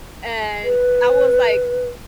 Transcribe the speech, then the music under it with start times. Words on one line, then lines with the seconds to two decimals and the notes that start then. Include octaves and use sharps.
and I was, like,
0.64 B4